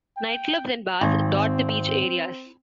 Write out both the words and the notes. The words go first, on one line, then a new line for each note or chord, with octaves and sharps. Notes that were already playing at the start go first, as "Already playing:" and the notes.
Nightclubs and bars dot the beach areas.
G5
G#1 C4